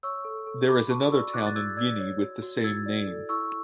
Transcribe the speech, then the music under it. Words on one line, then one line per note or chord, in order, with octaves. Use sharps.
There is another town in Guinea with the same name.
C#5 C#6 E6
A4
A4
F#4 B5 D6
F#4 A5 C#6
D5 C#6 E6
E4 D6 F#6
A6
G#4 E6 G#6
D5 E6 G#6
C#5
F#4
F#4
A6
E4 E6 G#6
D5
A4
E4 C#6 E6